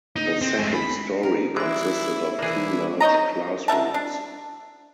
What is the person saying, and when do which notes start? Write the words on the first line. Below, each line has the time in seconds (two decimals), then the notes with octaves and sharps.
The second storey consisted of two large classrooms.
0.16 D#4
0.41 C4
0.58 G#3 A3
0.74 B5
1.23 A#4
1.56 E3 G#3 E4 C5 D5 E5
2.39 E3 A#3 D4 E4 G#4
3.00 D#4 C#5 D#5 A#5
3.68 D3 A#4 E5 A5
3.94 D4